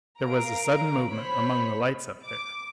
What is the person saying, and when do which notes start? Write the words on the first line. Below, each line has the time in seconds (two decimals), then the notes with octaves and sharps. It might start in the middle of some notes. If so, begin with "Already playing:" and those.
There was a sudden movement among the lights up there.
0.23 A#4 F5 A#5 D7
1.10 C5 C#5 B5
2.24 D6